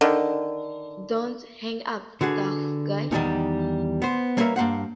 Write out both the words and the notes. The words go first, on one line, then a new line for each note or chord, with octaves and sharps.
Don't Hang Up, Tough Guy!
D3 D#3
D3 F#4 G#4 B4
E2 D#3 G3 A3 C#4 D#4
B3 C5
G3 A#3 C#4 A#4 B4 E5
G2 A#3 C5 F#5